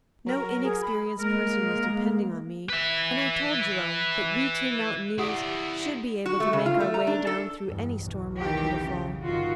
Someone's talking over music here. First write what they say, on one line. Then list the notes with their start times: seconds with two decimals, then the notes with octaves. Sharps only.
No inexperienced person was depending on me, and I told Jerome that we two mountaineers should be able to make our way down through any storm likely to fall.
0.26 F#3 A#4
0.62 G#4
0.81 B5
1.20 G#3 A#3 A#4
2.70 B4 E5
5.18 E4 G4 D5 F#5 D#6
6.26 F#4
6.40 A3
6.53 C#3
6.66 F4
6.80 A3
6.94 A#5
7.07 D4
7.27 A4
7.66 E2 G2
8.02 B1 E2
8.39 D#3 E3 G4
8.83 C#3
9.22 G1 D#3 F4 F#4